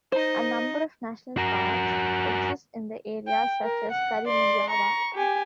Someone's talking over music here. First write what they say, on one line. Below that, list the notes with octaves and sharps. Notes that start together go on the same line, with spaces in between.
A number of national parks exist in the area such as Karimunjawa.
D#4 C5 D#5
F#4 A#4
G5
A#4
F#5
D5 C6
A#5 C#6
G4 G#5